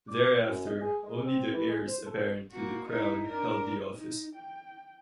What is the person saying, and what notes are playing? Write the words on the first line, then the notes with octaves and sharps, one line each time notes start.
Thereafter, only the heirs-apparent to the Crown held the office.
D6
F#2
D#5
G#4
G#3
C4
E3
G#3
C5
A4
A#3 F#4
D#4 E4
D4 A#4
D#4
G5